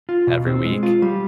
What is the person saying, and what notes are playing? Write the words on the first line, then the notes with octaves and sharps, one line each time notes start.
every week,
F4
B2
C4
G#3
F4
G3